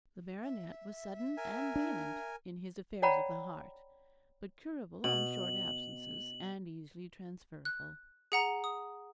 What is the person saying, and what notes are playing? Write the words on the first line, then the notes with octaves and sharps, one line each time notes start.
The baronet was sudden and vehement in his affairs of the heart; but curable on short absences, and easily transferable.
E5
A#4 G#5
D4
C#5 D5 F#5 G5 A#5 B5
B2 F#7
F#6
G#4 F#5 A#5
D#6